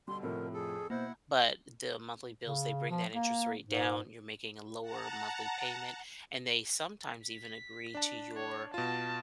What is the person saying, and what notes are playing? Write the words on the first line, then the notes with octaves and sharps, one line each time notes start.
But the monthly bills, they bring that interest rate down, you're making a lower monthly payment, and they sometimes even agree to your
B2 D3 G3 C6
A2 C3 F3 A#4
F2 G#4 A4
B2 A#3 E4 C5 F#5
C#3
F3
A#3
G#2
F#5 A5 A#5
B6
D4 A5
C#5
B2 F4 A5